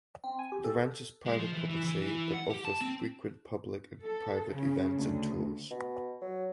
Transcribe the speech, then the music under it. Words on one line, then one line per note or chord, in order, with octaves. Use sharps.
The ranch is private property but offers frequent public and private events and tours.
C4
G#5
G4
A4
G#3
F3
E3
E3
E3
E3
F#5
G4
A5
C4
A4
C#3
D2
B2
F#3